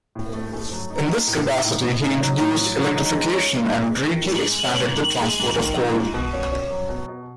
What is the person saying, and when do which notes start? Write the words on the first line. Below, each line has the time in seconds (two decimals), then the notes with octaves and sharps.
In this capacity he introduced electrification and greatly expanded the transport of coal.
0.15 A2
0.33 A3
0.53 A3
0.72 F#3
0.90 D#4
1.08 A3
1.28 A2
1.46 D#4
1.65 A2
1.84 A2
2.02 D#4
2.21 F#3
2.39 A2
2.58 F#3
2.77 F#3
2.96 D#4
3.14 G#3
3.33 C#4
3.53 G#2
3.70 G#2
3.89 G#3
4.08 D#3
4.27 G#2
4.46 G#3
4.64 C#4
4.83 G#2
5.02 D#3
5.21 G#3
5.40 G#2
5.58 D#3
5.77 D#3
5.95 G#2
6.14 B2
6.33 C#4
6.52 C#4
6.70 F#3
6.89 B2
7.08 B2